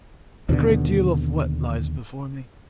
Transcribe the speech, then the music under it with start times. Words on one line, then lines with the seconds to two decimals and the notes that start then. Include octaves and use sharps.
"A great deal of what lies before me?"
0.49 D#2 B2 D3